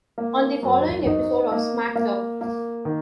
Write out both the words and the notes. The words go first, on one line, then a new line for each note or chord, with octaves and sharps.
On the following episode of SmackDown!
A#3
F#2
D#4
A#3
A#3
A#3
D#3